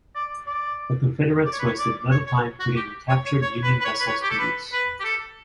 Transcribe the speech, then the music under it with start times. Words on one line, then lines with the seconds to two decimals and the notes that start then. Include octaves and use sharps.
The Confederates wasted little time putting the captured Union vessels to use.
0.15 D5
0.47 D5
1.45 D5
1.53 C#5
1.59 B4
1.66 C#5
1.78 D5
2.11 C#5
2.26 C#5
2.60 F#4
2.76 G4
3.08 C#5
3.25 C#5
3.41 C#5
3.63 B4
3.81 B4
3.85 C#5
3.99 B4
4.07 C#5
4.22 G4
4.30 A4
4.39 B4
4.73 B4
5.00 G4
5.04 A4